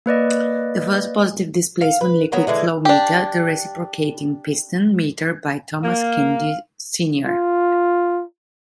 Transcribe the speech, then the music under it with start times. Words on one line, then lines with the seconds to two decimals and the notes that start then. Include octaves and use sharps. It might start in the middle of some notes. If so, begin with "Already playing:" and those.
The first positive displacement liquid flowmeter, the reciprocating piston meter by Thomas Kennedy Snr.
0.06 A#3 B4 D5 D#5
1.81 F5
2.01 B4
2.32 D#3 F#3 B3 A#4
2.47 D3 E3 G#3
2.85 D4 G4
5.83 A#3 F5
7.26 F4